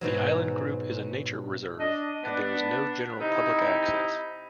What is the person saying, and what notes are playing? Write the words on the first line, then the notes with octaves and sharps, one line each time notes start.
The island group is a nature reserve and there is no general public access.
G#2 B2 F#3
D4 D#5
B3 D4
C3 D#4 E4